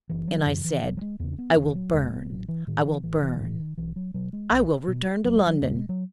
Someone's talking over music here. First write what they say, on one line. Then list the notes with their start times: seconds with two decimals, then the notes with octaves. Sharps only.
And I said: 'I will burn, I will burn: I will return to London....'
0.09 F#1 E3
0.28 F#3
0.38 D#3
0.46 F#2 C#3 E3
0.65 E3
0.83 E1 F#3
0.97 F#3
1.02 G#3
1.20 E2 C#3 B3
1.33 C#4
1.39 B3
1.56 E1 D#3
1.75 F#3
1.93 E2 C#3 G#3
2.06 A3
2.12 B3
2.30 A1 F#3
2.48 E3
2.67 A2 D#3
2.85 E3
3.03 A1 E3
3.23 E3
3.40 A2 E3
3.60 D#3
3.78 B1 E3
3.96 F#3
4.14 B2 F#3
4.33 G#3
4.51 B1
4.88 B2
5.25 F#1 F#3
5.36 G#3
5.47 F#3
5.61 E2 C#3 A3
5.75 G#3
5.89 F#3